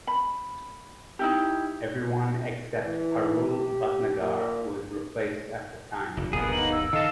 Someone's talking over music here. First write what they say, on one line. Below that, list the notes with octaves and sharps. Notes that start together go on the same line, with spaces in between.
Everyone except Parul Bhatnagar was replaced at the time.
B5
D#4 E4 G4
E3
G4
A#2
F1
D1 G1 B2 A#3 B3 G#4 D#6
D#4 F#7
E6
D#3 A4 D#5 F5 A5